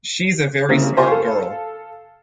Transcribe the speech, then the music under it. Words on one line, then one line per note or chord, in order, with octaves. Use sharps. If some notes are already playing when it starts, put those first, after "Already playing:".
She's a very smart girl.
C#3 G3 A#3 C4 E4 A#4
F4 G4 C5 G#5 C6 C#6
A4 F5